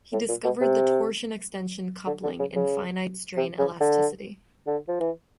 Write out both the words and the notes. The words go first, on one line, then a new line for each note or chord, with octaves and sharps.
He discovered the torsion-extension coupling in finite strain elasticity.
A2
A#2
B2
C3
D3
D3
C#3
C#3
C3
C#3
D3
D3
F3
E3